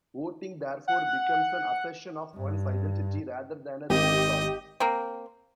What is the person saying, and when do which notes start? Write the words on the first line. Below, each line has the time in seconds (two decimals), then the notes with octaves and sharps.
Voting therefore becomes an assertion of one's identity rather than a real choice.
0.88 F#5
2.36 G2
3.90 G#1 G4 D#5
4.80 A#3 C4